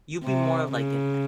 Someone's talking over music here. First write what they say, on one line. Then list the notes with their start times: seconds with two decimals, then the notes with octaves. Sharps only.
you'll be more like an e
0.24 C3
0.73 C#3